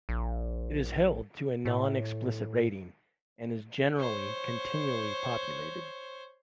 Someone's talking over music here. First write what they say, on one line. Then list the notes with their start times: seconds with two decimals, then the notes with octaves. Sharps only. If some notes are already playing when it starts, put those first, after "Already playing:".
It is held to a non-explicit rating and is generally continually populated.
0.09 A#1
1.65 A2
3.97 C5 C#5